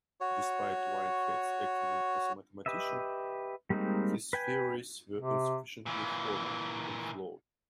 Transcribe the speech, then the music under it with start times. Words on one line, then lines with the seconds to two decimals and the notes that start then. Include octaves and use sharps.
Despite Whitehead's acumen as a mathematician, his theories were insufficiently formal, even flawed.
0.21 F#4 C#5
2.66 G4 B4 D#5 E5
3.70 G3 G#3 A#3 C4 D#4
4.33 B4 G5 G#5
5.17 C3
5.86 A#2 E3